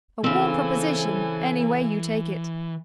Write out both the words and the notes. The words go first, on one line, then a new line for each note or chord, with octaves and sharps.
A warm proposition any way you take it.
C#3 E3 C4 A4 G#5